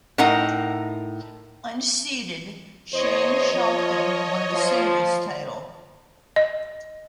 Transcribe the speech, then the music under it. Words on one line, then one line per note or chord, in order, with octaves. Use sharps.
Unseeded Sjeng Schalken won the singles title.
A2 D#4 A#4 F#5 A#5
E2 C5 C#5 D#5
F3
F3
D#5